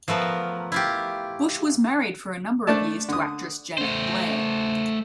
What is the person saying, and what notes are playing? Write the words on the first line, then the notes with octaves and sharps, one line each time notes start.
Busch was married for a number of years to actress Janet Blair.
F3 A3 B3 A#4
E4 F4 G4
A3 D4 D5 A5
D3 D#6
A3 C5